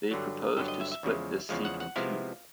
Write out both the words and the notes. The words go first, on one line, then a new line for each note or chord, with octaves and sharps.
They proposed to split this seat into two.
G2 D3 F#3
G2 D3 F#3 D#5
D#5
E5
E5
E2 C#3 F3 G#3
E2 C#3 F3 G#3 F5
F#5
F#5
C3 F3 G#3 B3 E4 F5